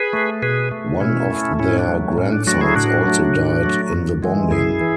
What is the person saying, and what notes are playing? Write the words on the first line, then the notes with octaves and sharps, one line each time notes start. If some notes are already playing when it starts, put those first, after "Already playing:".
One of their grandsons also died in the bombing.
Already playing: G#4 B4
A3
B2 G#4 B4
A3
B2 C#4 E4
A3
A2 C#4 E4
D4
F#3 A3
A2 C#4
D4
F#3 A3 D4 F#4
E4 G#4
A2 D4 F#4
F#3 A3
A2
F#3 A3
F#2
E3 G#3
F#2 E4 G#4
E3